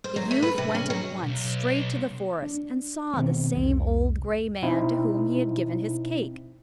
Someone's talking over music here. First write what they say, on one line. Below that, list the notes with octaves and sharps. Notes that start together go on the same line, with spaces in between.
The youth went at once straight to the forest, and saw the same old gray man to whom he had given his cake.
C5
F#3
A3
B4
C3
C#4
F#3
B1
D4
B2 D#3 B3 C4
F1 C2
B2 C4 D#4 E4